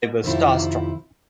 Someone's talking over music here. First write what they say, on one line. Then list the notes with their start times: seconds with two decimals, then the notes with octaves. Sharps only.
I was star-struck.
0.24 F2 C3 D#3 E4 F4